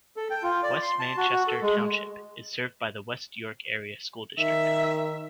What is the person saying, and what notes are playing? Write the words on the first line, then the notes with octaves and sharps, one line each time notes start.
West Manchester Township is served by the West York Area School District.
A4
G5
F4
D5
C6
A5
F#4
F#4
A4
G#3
D#3 E5